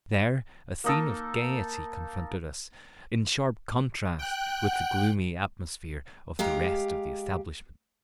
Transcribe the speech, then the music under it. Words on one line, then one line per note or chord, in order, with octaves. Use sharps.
There a scene of gayety confronted us, in sharp contrast with the gloomy atmosphere of the rest of the establishment.
A#3 D#4 A4
G5 F#6
F#5
G#3 G4 F5 A#5